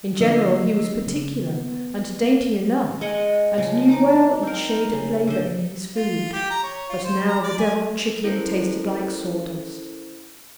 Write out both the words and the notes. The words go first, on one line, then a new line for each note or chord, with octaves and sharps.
In general, he was particular and dainty enough, and knew well each shade of flavour in his food, but now the devilled chicken tasted like sawdust.
D3 F3 A#3 D#5 E6 C7
C#3
B3
G#3 D#5 F#5
C#3 F3
D#4 A#5 D6
C4 A#4
C#3
D3 C5
F4
G4
A#5
C#5
F4
C5
A#5
D5
G#5
C#4 E4 A4 A#4 C5